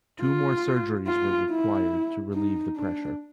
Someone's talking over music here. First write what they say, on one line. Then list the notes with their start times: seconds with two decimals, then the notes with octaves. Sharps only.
Two more surgeries were required to relieve the pressure.
0.21 F4
1.07 F4
1.50 E4
2.34 D#4
2.76 D4